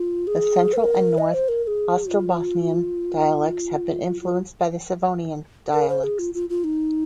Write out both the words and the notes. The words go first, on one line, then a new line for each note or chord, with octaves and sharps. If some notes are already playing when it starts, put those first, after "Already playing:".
The Central and North Ostrobothnian dialects have been influenced by the Savonian dialects.
Already playing: F4
G#4
C5
A#4
D#5
C5
A#4
A#4
G#4
F4
F4
F4
A#4
C5
G#4
F4
F4
F4
D#4